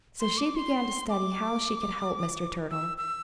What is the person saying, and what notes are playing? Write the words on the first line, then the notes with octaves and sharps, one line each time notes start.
So she began to study how she could help Mr. Turtle.
C6
D6
C6
D6
E6
E6